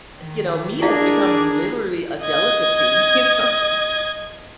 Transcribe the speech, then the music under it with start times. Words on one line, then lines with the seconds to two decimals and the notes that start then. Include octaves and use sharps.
you know, meat has become, literally, a delicacy, you know?
0.18 D#3
0.82 D4 E4 G#4 A#4 D5 D#5 F5
2.23 D#5 G#6